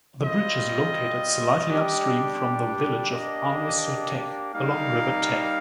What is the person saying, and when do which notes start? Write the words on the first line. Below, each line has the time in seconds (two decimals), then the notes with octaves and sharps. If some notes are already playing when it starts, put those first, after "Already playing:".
The bridge is located slightly upstream from the village of Arles-sur-Tech, along River Tech.
0.24 G3 C4 F4 D#5
1.67 G3 D4 G4
3.10 A#3 D4 G4 D#5
4.54 G3 A#3 D#4 F5